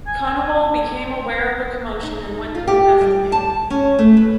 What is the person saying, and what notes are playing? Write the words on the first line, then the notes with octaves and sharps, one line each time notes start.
Konowal became aware of a commotion and went to investigate.
G#5
D#4
F4
G4
G3
A5
C#4
A3
B4